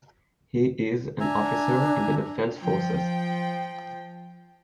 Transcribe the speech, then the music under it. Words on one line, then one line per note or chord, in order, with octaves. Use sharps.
He is an officer in the Defence Forces.
D4 E5 G#5 A#5
F3 G5